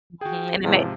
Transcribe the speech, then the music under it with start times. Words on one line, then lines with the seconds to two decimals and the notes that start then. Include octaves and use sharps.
Mhm, and it may
0.21 F#4 G#4 G5
0.64 E2 G#2 C3 F3